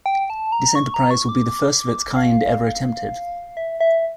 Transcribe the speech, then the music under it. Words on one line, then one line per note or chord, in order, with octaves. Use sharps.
This enterprise will be the first of its kind ever attempted.
G5
A5
A#5
C#6
A#5
C#6
D6
F5
E5
E5